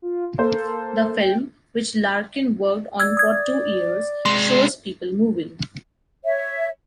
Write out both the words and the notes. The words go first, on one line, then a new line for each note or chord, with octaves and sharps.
The film, which Larkin worked on for two years, shows people moving.
F4
A#3 A4 C5
G5
D5 E6 G#6
D#6 G#6
C3 G#3 C6
C#5 E5